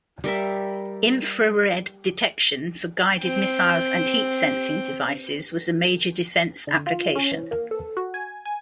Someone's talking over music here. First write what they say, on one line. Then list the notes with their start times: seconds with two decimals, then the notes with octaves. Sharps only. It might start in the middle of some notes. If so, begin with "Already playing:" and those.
Infrared detection for guided missiles and heat sensing devices was a major defence application.
0.24 G3 A#4 E5
3.21 C4 G5
6.67 D3
6.87 F4
7.15 C#4
7.32 E3
7.51 A#3
7.71 A4
7.97 F#4
8.14 G#5
8.45 G#5